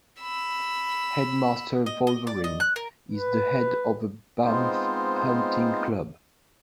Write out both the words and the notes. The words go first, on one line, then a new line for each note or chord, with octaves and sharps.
Headmaster Wolverine is the head of a "Bamf Hunting Club".
B5 E6
D#5
D#5
D5
D#5
F#6
A#4
B4
G#3 B3 C4 D#4 F4 C5